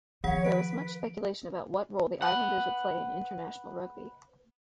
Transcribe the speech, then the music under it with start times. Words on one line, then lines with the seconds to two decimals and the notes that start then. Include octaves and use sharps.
There was much speculation about what role the Islanders would play in international rugby.
0.24 D#3 F3 C#5 F#5 B6
0.44 B4 D7
2.22 B4 F#5